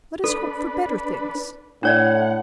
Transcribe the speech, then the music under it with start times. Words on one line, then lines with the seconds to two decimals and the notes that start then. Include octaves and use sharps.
Let us hope for better things.
0.24 D4 A4 B4
1.83 A2 D4 C#5 D5 F#5